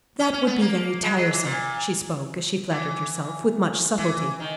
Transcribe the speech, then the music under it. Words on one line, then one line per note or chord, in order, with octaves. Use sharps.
"That would be very tiresome." She spoke, as she flattered herself, with much subtlety.
C#4
C#4
B3
A#3
G#3
F#3
E3
A#2
E3
E3
D#3